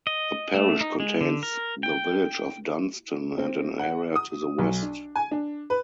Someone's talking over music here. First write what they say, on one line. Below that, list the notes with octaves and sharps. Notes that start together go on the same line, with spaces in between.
The parish contains the village of Dunston and an area to the west.
D#5
A3
D#4
G#3
D3
A#4
G5
C4
F#5
D#6
B1
D4
G#5
D4
B4